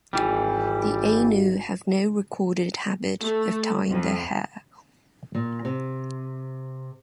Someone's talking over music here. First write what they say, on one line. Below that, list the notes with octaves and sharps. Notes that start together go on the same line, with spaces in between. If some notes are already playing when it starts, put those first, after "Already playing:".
The Ainu have no recorded habit of tying their hair.
G#1 E3 G3
A3
F2
A#2
C3